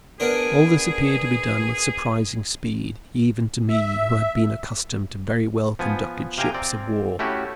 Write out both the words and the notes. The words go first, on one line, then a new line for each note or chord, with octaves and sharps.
All this appeared to be done with surprising speed, even to me who had been accustomed to very well conducted ships of war.
B3 D4 G#4 A#4
E5
F3 B3 G#5
C3 F5 G5 G#5 A#5
C4 D5
A3 C#4 E4 F#4 G4